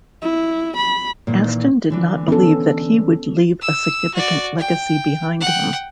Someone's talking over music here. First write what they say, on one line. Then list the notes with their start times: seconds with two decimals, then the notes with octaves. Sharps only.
Aston did not believe that he would leave a significant legacy behind him.
0.22 E4
0.76 B5
1.27 A#2 D#3 E3
1.90 D3 E3 D4
2.28 B3 C#4 A4
3.62 E6
4.14 F#4 D5
4.59 G5
5.41 F#5 G5